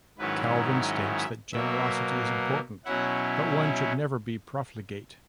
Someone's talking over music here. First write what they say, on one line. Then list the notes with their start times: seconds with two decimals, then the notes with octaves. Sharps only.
Calvin states that generosity is important, but one should never be profligate.
0.18 G#2 D#3 F#3 C#4 E4 B4
0.85 D#5
1.18 E5
1.53 B2 F#3 A#3 E5
2.85 B2 F#3 C#4 E4 F#5